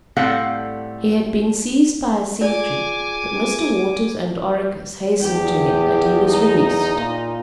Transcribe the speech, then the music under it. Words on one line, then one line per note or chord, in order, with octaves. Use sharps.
He had been seized by a sentry; but Mr. Waters and Oracus hastened to him, and he was released.
A2 G3 C4 A4 F5 F#5
F4 G#4 D5 G#5 D6
E2 G4
D#4
A#2